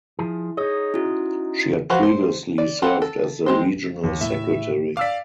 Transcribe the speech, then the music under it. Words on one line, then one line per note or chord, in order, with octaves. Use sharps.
She had previously served as the regional secretary.
F3 E4 G#4
D#4 G#4 C#5 D#5 A#6
C#4 E4 F#4
F3 F4 F#4 B4 C5
C5
D5
C4 F4 A4 B4 F#5
A4
G#3 C4 C5
D#2
A2 E5
D5 F5 D6 E6 B6